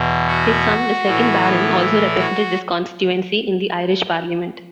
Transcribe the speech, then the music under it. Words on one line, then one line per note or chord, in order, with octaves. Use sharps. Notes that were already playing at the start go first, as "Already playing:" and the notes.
His son, the second Baron, also represented this constituency in the Irish Parliament.
Already playing: E2 B2
F#4
A2 E3
B3
E4
F#4